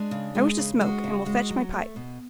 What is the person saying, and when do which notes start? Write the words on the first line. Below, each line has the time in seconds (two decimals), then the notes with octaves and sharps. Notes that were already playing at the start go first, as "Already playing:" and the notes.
"I wish to smoke, and will fetch my pipe."
Already playing: G#3 D4
0.11 C#3
0.35 G#3
0.58 C#3
0.81 G#3 F#4
1.04 C#3
1.26 G#3
1.50 F#3
1.73 A3
1.96 B2